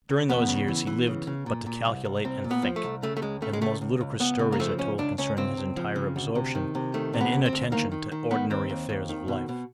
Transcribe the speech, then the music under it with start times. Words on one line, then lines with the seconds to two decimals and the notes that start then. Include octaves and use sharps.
During those years he lived but to calculate and think, and the most ludicrous stories are told concerning his entire absorption and inattention to ordinary affairs of life.
0.10 C#3
0.29 E2 B3
0.48 C#3
0.68 E3
0.87 E3
1.07 C#3
1.27 C#3
1.46 A#2
1.66 A#2
1.85 C2
2.05 C2
2.25 C2 C4
2.44 A#2
2.51 B3
2.63 F3
2.76 A3
2.83 C2
3.03 C#3 A3
3.17 A3
3.22 C#2 G#3
3.42 C#3 A3
3.53 G#3
3.62 C#2 A3
3.81 C#2
4.01 C#2
4.20 C#2 B3
4.39 C#3
4.52 A#3
4.60 F3 A3
4.78 C#2 C#4
4.98 C#2 D4
5.18 C#2 C#4
5.37 C#2 C4
5.57 C#2
5.77 F3
5.96 C#3
6.16 D2
6.35 C3
6.55 D#3
6.75 C3
6.94 D#3 A3
7.13 C3
7.21 B3
7.32 D2
7.46 C4
7.53 D2
7.72 D#3 A#3
7.92 D#3
8.12 D#3
8.31 D#3 B3
8.50 D#2 C4
8.70 D#2
8.89 D#2
9.09 D#3
9.28 B2
9.49 B2